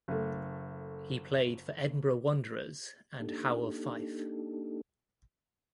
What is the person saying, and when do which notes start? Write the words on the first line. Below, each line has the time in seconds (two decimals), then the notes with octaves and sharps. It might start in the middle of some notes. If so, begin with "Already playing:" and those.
He played for Edinburgh Wanderers and Howe of Fife.
0.08 F#1 A3
3.20 A#3 D4 D#4 G4 A4